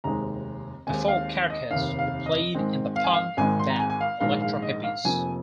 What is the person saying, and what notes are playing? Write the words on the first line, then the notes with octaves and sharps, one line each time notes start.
Before Carcass, he played in the punk band Electro Hippies.
F1 D#2 D#3 G#3 C4 A#5
D#2 D#3 G#3 C4 G#5
F5
D#5
F1 D#2 D#3 F5
F5
D#5
G#2 D#3 G#3 C4
F5
G#5
F5
G#1 G#2 D#3 G#3 C4 G#5
C6
A#5
G#5
G#5
F5
A#1 G#2 D#3 F5
F5
D#5
F5
F1 F2 F3 A#3 G#5